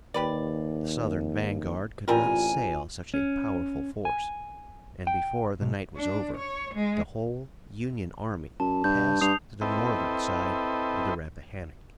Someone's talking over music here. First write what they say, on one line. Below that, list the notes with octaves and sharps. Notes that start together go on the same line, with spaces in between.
The Southern vanguard could not assail such a powerful force, and before the night was over the whole Union army passed to the Northern side of the Rappahannock.
D#2 G4 B4 D5
A1 G3 C4 F4 A#4 G#5
C#4
G#5
G5
B1
D4
C#5
G#3
F#2 A5
G2 G6
G2 D#6 C7 F7
C4 E4 A4 B4 D#5 G5